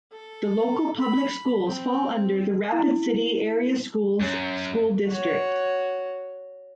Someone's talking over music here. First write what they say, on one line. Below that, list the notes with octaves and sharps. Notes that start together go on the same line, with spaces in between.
The local public schools fall under the Rapid City Area Schools school district.
A4
B5
C4
E4
F#2
F#4 C#5